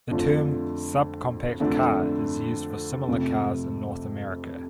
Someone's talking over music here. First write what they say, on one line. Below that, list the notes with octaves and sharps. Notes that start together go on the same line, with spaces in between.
The term subcompact car is used for similar cars in North America.
F2 D3 A3 D4 F4
F2 D3 A3 D4
F2 C3 A3